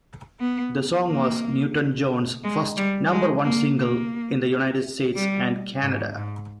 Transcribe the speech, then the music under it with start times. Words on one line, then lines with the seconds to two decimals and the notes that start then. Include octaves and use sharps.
The song was Newton-John's first number-one single in the United States and Canada.
0.40 B3
1.08 A#3
2.44 G#3
2.77 G3
3.12 G#3
3.45 A#3
3.79 A#3
5.15 G3
5.82 G#2
6.17 G#2